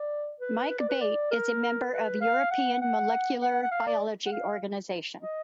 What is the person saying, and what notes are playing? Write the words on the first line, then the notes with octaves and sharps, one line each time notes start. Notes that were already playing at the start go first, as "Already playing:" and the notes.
Mike Bate is a member of European Molecular Biology Organization.
Already playing: D5
B4
B4
D5
B4
D5
A#4
B4
F5
F#5
F#5
F#5
F#5
F5
D5
F#5
F5
D#5